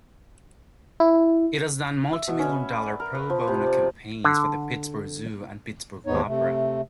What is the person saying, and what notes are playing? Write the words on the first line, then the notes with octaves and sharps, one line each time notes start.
It has done multimillion-dollar pro-bono campaigns for the Pittsburgh Zoo and Pittsburgh Opera.
E4
E5
B2
C#4
B4
D5
A#4
B4
F3
C3
D5
D3
D#2 G#2 B3 D#4 C#5
C3 A3